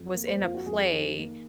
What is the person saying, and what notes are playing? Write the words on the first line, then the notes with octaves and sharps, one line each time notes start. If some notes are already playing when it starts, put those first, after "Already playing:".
was in a play,
Already playing: F2
A#3
C5
F2 F4
F#4
F2 G#4
D#3
A#3